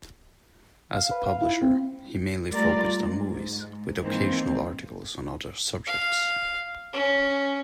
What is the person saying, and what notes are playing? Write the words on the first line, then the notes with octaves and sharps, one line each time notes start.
As a publisher, he mainly focused on movies, with occasional articles on other subjects.
F5
B4
F5
E4
C4
G3 A3 F4 A#4 D5
G#2
G#2 D#3 E3 A#3 C4
F5
C#4